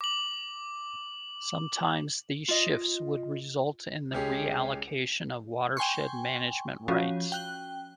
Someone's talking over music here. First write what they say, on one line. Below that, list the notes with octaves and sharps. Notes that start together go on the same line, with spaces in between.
Sometimes these shifts would result in the reallocation of watershed management rites.
D6 F#7
F4 D#5
C#2 C#4 G4 G#4
G5 G#5 C6 C#6
F3 C#4 F#4
G5 F#6